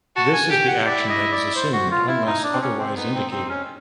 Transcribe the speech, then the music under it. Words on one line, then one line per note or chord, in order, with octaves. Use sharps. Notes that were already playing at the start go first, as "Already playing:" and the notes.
This is the action that is assumed unless otherwise indicated.
F#4 A5
G#5
G4 G5
F#5
E4 D5
D#5
D5
C5
F#4
F4
E4
D#4
D4
C4
C#4
C4
B3 D#4
C4
C4
C#4